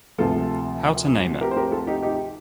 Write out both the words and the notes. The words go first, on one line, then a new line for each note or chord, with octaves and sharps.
How to Name It?
D2 C3 F3 F4 A4
G4 A#4
C5
G4 A#4
F4 A4
D#4 G4
D#4 G4